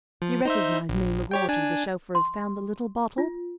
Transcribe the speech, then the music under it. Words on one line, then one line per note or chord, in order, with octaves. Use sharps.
"You recognize me, McGroarty, the chauffeur as found the little bottle?"
F3
D#4 C5 E5
A#1
G4 C#5 G5
D4 G#5
C6
F4